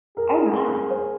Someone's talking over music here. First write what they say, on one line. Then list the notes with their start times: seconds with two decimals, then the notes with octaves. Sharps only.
Oh, my.
0.17 G#4 A#4
0.90 C5